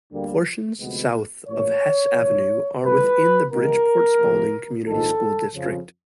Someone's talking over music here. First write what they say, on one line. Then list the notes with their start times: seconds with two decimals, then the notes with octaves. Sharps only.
Portions south of Hess Avenue are within the Bridgeport-Spaulding Community School District.
0.12 D2 D3 G3 A#3
0.80 D2 C3 F3 G#3 B3
1.47 A1 A2 F3 A#3 C#5
2.15 A#1 A2 E3
2.83 G1 G2 E3 A3 B4
3.52 C2 C3 E3 G#3 B3 A#4
4.18 F2 C3 F3 A#3
4.86 A#1 G#2 D#3 A4
5.54 F2 C#3 F3